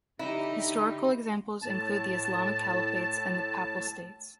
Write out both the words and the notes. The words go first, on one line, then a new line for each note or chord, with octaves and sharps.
Historical examples include the Islamic Caliphates and the Papal States.
D3 D#4 E4 G4
A2 A5